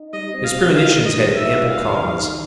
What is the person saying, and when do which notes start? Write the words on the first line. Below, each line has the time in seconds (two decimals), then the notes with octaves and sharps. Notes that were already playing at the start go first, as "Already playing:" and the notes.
His premonitions had ample cause.
Already playing: D#4
0.13 G3 D#5
0.34 C4
0.44 F5
0.55 G3
0.75 D#4 F5
0.96 G3
1.06 D#5
1.16 G3
1.37 D#4 E5
1.57 G3
1.68 F5
1.78 G3
1.98 D#3
2.20 D#3